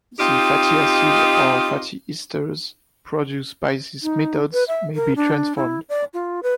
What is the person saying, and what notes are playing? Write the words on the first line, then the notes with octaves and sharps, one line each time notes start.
The fatty acid or fatty esters produced by these methods may be transformed.
C4 D#4 F4 G4 D#5
D#4
B4
E5
A#4
D4
E4
D5
F4
B4